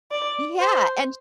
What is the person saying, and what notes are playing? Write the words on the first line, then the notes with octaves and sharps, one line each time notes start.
Yeah, and
D5
C5